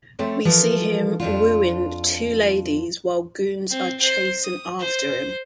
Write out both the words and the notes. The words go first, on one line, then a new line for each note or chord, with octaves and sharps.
We see him wooing two ladies while goons are chasing after him.
F3 A3 C4 A4 C#5
E3 F3 A4 A#4
F2 F3 D4 F4
C4
C5
D#6
C5